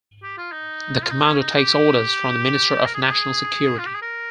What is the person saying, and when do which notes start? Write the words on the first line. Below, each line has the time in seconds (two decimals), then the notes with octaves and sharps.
The commander takes orders from the Minister of National Security.
0.23 G4
0.38 F4
0.52 D#4
1.04 F4
1.11 D#4
1.26 C#4
1.40 D#4
1.55 G4
2.85 A#4
2.94 G#4
3.02 G4
3.11 G#4
3.79 F4
3.86 G4
3.94 G#4
4.02 A#4